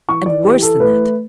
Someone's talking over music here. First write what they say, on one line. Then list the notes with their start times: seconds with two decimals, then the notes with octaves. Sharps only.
And worse than that!
0.08 E3 C#6
0.26 D5
0.44 E3 G4
0.62 A4
0.80 A3 B4